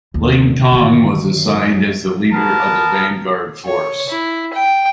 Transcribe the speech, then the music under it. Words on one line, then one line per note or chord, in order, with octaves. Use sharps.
Ling Tong was assigned as the leader of the vanguard force.
D#2 D3
G1 D3 D#3
F#2 F#3
B3 A#4 A5
C#5
E4
G5